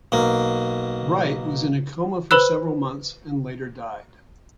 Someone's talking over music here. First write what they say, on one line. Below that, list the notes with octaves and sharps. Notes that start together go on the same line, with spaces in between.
Wright was in a coma for several months and later died.
B1 A#3
B4 C5 B5 E6 F#6